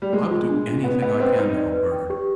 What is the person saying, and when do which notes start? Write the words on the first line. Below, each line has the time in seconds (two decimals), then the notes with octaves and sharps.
I will do anything I can to help Bernard.
0.02 G3
0.13 G#3 A#4
0.31 F4
0.49 D4
0.67 D4
0.84 B3 F#5
1.02 B3 D#5
1.20 C4 B4
1.38 D#4 B4
1.57 D5
1.74 B4
1.92 G5
2.10 G4